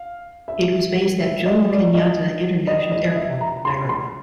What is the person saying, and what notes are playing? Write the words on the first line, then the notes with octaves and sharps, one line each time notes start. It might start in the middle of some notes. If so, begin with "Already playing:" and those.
It was based at Jomo Kenyatta International Airport, Nairobi.
Already playing: F5
E5
E5
D#5
D5
D#5
D#5
D#5
E5
A#5
C6
C6